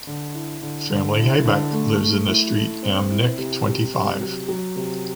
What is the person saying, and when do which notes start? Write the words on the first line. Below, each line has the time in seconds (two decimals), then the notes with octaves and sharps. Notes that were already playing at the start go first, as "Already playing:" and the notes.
Family Habeck lives in the street ‘Am Knick twenty-five’.
0.07 D3
0.34 E4
0.62 D3
0.90 D3
1.18 E4
1.46 D3
1.72 A3
2.00 A3
2.28 E4
2.56 A3
2.83 C4
3.11 E4
3.38 C3
3.66 C3
3.94 C3
4.21 F#3
4.48 F#3
4.76 C3